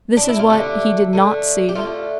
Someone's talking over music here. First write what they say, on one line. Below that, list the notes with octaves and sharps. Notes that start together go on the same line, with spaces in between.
This is what he did not see.
D4
E4
F4
D3 A3 G4
D3 A3
G4
D3 A3 F4